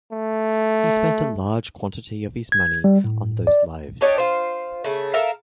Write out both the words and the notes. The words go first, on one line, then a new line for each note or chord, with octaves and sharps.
He spent a large quantity of his money on those lives.
A3
G#6
G3
A2
D5
D4 G4 C#5 D#5
F4 C5
C#3 A3
A4 A#4 E5 F5